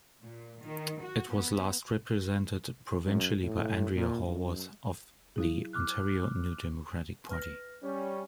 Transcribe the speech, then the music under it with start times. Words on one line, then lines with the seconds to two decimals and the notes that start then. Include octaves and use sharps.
It was last represented provincially by Andrea Horwath of the Ontario New Democratic Party.
0.22 A#2
0.62 D#3
1.02 F#4
1.31 B3
3.06 F#2
3.43 A2
3.95 A#2
4.28 F#2
5.36 F#3 E4 G#4
5.73 D6 F6 F#6
7.29 B4 F6 A#6
7.83 G3 C#4 C#5